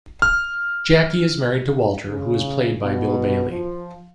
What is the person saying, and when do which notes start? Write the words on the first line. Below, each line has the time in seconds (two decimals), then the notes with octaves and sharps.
Jackie is married to Walter who is played by Bill Bailey.
0.22 F6
2.09 C#3
2.81 B2
3.49 F3